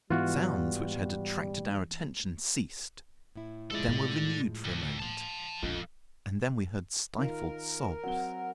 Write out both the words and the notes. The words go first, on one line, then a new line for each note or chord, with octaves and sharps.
The sounds which had attracted our attention ceased, then were renewed for a moment, and then we heard stifled sobs.
G#2 E3 G3 B3 F4 F#4
A2 E4
F3 G#3 E4 A4 D5
A2
D2
A5 C6
E1 A#1 F2 F4 A4 D#5
D#3 F4 A#4
F#3 C4 F#5 G7